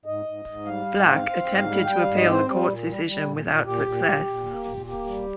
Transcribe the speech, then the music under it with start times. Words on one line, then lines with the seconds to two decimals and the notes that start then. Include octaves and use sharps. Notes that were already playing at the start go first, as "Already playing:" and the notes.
Black attempted to appeal the court's decision without success.
0.05 G#2 D#5
0.26 G#2
0.45 G#2
0.66 G3 F5
0.86 G#2
1.06 C4
1.26 C4
1.46 G#2
1.66 G3
1.85 G3 G5
2.00 G#2 F5
2.15 D#5
2.25 C4
2.31 C5
2.46 G3
2.65 A#2
2.86 G3
3.05 G3
3.25 A#2
3.46 A#2
3.65 A#2 G4
3.85 A#2
4.06 A#2
4.26 A#2
4.46 A#3
4.65 A#2
4.85 A#3 G4
5.05 G3